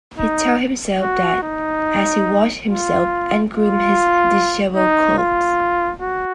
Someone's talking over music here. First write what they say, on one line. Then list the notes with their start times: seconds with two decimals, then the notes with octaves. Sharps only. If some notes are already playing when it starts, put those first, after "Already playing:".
He told himself that as he washed himself and groomed his disheveled clothes.
0.19 D#4
1.02 F#4
1.43 D#4
2.68 F4
3.52 F4
4.76 D#4
5.18 F4
6.01 F#4